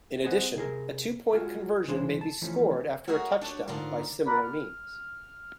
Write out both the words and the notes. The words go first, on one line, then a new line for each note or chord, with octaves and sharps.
In addition, a two-point conversion may be scored after a touchdown by similar means.
C4 G#4 C5 D#5 F#5
C3 G#4 A#4
G#3 F4 F#4
C2 E3 G#3 D4 C5
A5
E3 F3 A3 C#4
F#4 G#4 A#4 C#5 E5 F#5
D4 F#4 G4 A4 C#5
G#2 D3 D4 F4 A#4
A#4 B4 D5 F#5 B5
F6